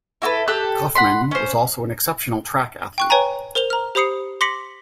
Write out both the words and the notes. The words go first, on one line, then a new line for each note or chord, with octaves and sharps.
Kaufman was also an exceptional track athlete.
E4 F#4 A4 B4
G4 A4 E6 F#6
F#5 B5 C6
C#4 C5
G5 C#6 F#6
B4 C#5 G5 G#5 A#5
A#4 C5 F7 G7
A#5 F6
G4 C5 B5 D#6 C7 C#7
C6 D6 A#6 B6 C#7 F#7